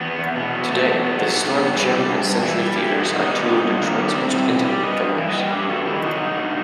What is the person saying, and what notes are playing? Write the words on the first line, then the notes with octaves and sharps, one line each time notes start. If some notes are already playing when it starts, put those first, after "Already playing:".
Today, the Historic Gem and Century Theatres are two of Detroit's most intimate venues.
E2 B3
E2
B2 B3
F#3
E2 A3
E2
B2 B3
F#3
G2
G2
E3
G3
G2
G2
E3
G3
G2 E4 G4
G2
D#4 F#4
D#3
B3 D#4
G3
G2
G2
D#3
G3
G2 C4 E4
G2
E3
G3
G2 B4 D#5
G2
E3
B4 D#5
G3
G2 G4 B4
G2 F#4 A4
D#3 E4 G4
F#3 D#4 F#4
G2
G2